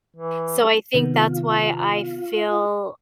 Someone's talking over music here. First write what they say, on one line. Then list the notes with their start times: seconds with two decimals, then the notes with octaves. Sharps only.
So, I think that's why I feel,
0.16 E3
0.94 C3 D#3 B3
1.14 F4